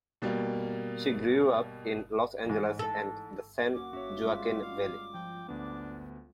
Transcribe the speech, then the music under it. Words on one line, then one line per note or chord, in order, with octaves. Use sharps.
She grew up in Los Angeles and the San Joaquin Valley.
B2 G3 A#3
A1 G#2
A4
A#3 C#4 F#4 D6
C#4 F#4 C#5 E5
G3 G#3 F4
F5
F3 G5
D2 B3 D4